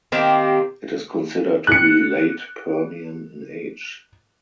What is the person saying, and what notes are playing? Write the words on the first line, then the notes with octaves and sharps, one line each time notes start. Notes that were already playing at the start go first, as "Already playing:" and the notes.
It is considered to be Late Permian in age.
D#3 A#3 C4 G4
F#6 C#7